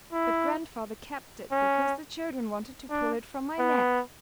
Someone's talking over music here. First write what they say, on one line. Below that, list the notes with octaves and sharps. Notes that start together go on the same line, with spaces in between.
But grandfather kept it, because the children wanted to pull it from my neck.
E4
C#4
D4
B3